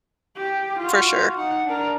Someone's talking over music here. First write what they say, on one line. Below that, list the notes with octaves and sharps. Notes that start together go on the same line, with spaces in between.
For sure.
G4
F4 F#4
D#4 F#5
D4 A#4